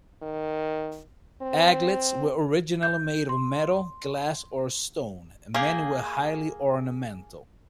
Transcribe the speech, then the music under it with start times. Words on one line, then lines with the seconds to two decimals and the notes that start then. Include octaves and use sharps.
Aglets were originally made of metal, glass, or stone, and many were highly ornamental.
0.22 D#3
1.42 C4
2.83 G6
3.29 C6
5.54 A#3 G4 G#4 F5